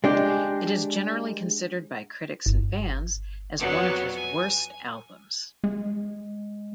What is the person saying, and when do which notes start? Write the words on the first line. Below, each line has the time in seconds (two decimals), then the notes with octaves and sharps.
It is generally considered by critics and fans as one of his worst albums.
0.04 G#3 D4 G4
2.46 G1
3.59 F2 F#3 B3 D5
4.15 G#5
5.64 G#3